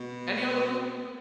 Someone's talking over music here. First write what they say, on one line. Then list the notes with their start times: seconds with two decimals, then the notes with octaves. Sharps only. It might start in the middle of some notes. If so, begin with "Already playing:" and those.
any other ones that you can think of?
Already playing: B2